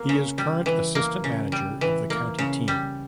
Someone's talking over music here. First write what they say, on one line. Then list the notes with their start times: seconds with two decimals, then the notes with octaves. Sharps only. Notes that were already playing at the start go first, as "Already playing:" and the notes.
He is current assistant manager of the county team.
Already playing: A#3
0.09 C#3
0.38 G3
0.66 E3
0.95 A#3
1.24 C#3
1.52 G3
1.81 E3
2.10 A#3
2.39 C#3
2.68 G3